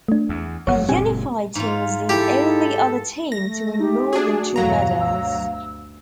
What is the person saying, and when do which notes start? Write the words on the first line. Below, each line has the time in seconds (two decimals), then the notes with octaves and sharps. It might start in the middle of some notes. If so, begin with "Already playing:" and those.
The Unified Team was the only other team to win more than two medals.
0.08 A3 D4
0.29 E2
0.67 G1 F2 F#3 C#5 F#5
0.89 F#1 A#2 G#3 C4 G4 G#5
1.55 G#2 F4
2.09 E4 G4 A4
3.32 A3 A#6
3.79 D#4 G4
4.13 D4 F#4 G#4
4.56 E2 G2 B2 F#3 F5 A#5
5.01 D2 E6